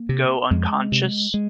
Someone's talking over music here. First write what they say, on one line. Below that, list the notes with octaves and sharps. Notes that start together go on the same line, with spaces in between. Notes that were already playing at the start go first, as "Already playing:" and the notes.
go unconscious?
Already playing: A#3
C3
F2 G#3
C3
G#3